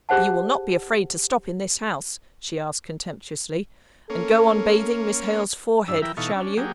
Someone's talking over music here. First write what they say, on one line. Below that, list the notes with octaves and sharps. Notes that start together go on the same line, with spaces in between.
You will not be afraid to stop in this house,' she asked contemptuously, 'and go on bathing Miss Hale's forehead, shall you?
G4 G#4 C5 F#5 A5
A#3 C#4 A4
G2 D4 E4 E6
E3 E4 A#4 G5 B5
B2 E3 D#4 A4 F5 C#6
C#4 D4
F#3 A#3 G4 G#4